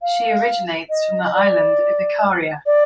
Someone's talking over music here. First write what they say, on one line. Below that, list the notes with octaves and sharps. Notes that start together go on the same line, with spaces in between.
She originates from the island of Icaria.
F5
D#5
D#5
D5
D5